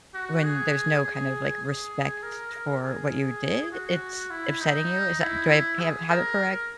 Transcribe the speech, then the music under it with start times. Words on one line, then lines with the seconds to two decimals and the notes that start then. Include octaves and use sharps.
when there's no kind of, like, respect for what you did, it's upsetting you? Is that do I have have it correct?
0.14 F#4
0.44 G#4
1.03 G#4
1.63 G#4
2.23 A#4
2.52 A#4
2.82 G#4
3.72 F#4
4.31 E4
4.61 D#4
5.21 E4
5.80 G#4
6.10 A#4